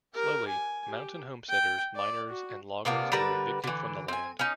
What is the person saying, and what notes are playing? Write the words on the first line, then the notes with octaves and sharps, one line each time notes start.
Slowly, mountain homesteaders, miners, and loggers were evicted from the land.
G4 A#4
G#5
G4
G5
D5
F#4
C3 A#3 B3 D4
D3 G3 A#4 B4
D3 E3
C4 G#5
C#4 D#4